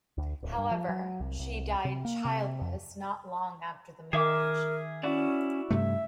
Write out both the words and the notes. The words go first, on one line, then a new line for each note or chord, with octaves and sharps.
However, she died childless not long after the marriage.
D2
D1
G2
F3
F#3
C2
C2
C3
A#3
C3
F2
D#3 G#4 A#4 E5 D6
C#4 E4 F#4 D5
G2 C3 A3 E5